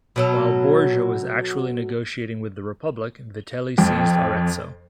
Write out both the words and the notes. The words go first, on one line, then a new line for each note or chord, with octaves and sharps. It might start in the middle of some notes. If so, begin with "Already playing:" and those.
While Borgia was actually negotiating with the republic, Vitelli seized Arezzo.
B2 F#3 A4
F2 G5